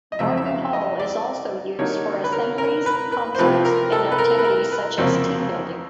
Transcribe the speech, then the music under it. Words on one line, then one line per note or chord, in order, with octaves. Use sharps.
Barton Hall is also used for assemblies, concerts and activities such as team building.
D#5
F2 C#3 F#3 A3 C4 E5
E5
F5
D#5
D5
D3 F#3 A#3 D#4 C#5
B4
A#4
A#4
B4
B4
C5
C3 F3 A3 B4
A#4
A4
B4
A#4
B4
A#4
B4
F2 C#3 F#3 A#3 C5